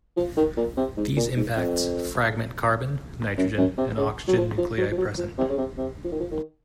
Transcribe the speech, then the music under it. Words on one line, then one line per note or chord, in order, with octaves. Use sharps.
These impacts fragment carbon, nitrogen, and oxygen nuclei present.
F3
D#3
A#2
C3
G#2
A#2
G#2
F2
F#2
F#2
C3
C#3
F#3
F3
F3
F#3
F3
F#3
F3
C3
C#3
C3
C3
F3
D#3
F3
D#3